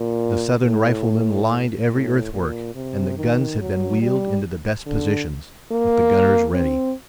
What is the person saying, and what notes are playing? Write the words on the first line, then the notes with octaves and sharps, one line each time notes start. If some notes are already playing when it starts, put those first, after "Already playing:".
The Southern riflemen lined every earthwork, and the guns had been wheeled into the best positions, with the gunners ready.
Already playing: A#2
A2
A2
A#2
C3
D#3
F#3
G3
D3
A#3
C4